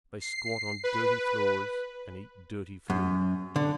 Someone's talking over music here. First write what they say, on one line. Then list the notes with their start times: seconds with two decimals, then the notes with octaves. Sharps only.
They squat on dirty floors and eat dirty food.
0.21 C7
0.84 B4
2.90 F#2
3.56 D3